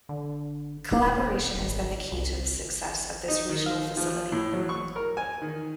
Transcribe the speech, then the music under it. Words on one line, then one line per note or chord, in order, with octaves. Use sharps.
Collaboration has been the key to the success of this regional facility.
D3
D#1
G#1
C2
D#4
D#3
F5
D#3
F3
A2
F#3
C#6
A#4
G#5
D#3